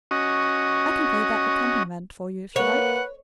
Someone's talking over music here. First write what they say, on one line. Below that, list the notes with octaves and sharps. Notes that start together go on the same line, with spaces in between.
I can play that accompaniment for you if you like.
C#4 F#4 D#5
A#3 B4 C#5 F#5